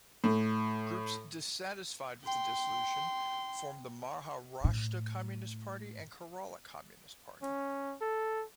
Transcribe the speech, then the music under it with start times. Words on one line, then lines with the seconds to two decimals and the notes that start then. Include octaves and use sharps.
Groups dissatisfied with the dissolution formed the Maharashtra Communist Party and Kerala Communist Party.
0.24 A2
2.23 G5 C6
4.64 A2
7.42 C#4
8.01 A4